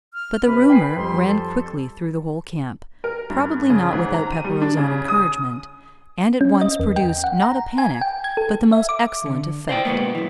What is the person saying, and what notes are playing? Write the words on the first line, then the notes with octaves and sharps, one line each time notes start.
But the rumour ran quickly through the whole camp, probably not without Pepperrell's own encouragement, and at once produced, not a panic, but the most excellent effect.
F6
C3 B4
G5 G#5 C7
F2 G3 C6
A4
A#4
G2
C#3
G#2
A#5
D#7
G3
D4
C#3
D#6
C#4
D#5
E2
G5
F#5
A#5
G#5
G5
G#6
A4
E5
D6
D3
C5 D5 G5
G#2 B2 F3 G#3 A#3 B3
F#2 E3